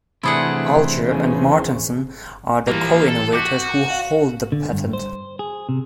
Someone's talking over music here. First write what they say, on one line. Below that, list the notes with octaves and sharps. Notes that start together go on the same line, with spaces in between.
Alger and Martinsen are the co-inventors who hold the patent.
C3 E3 A3 D4 E4 G#4 C5 F#5
E2 C#3
E3 F3 G3 A#3
A4
F#4 D6 G6 B6
F5
D3
G2
C5
G#4
C3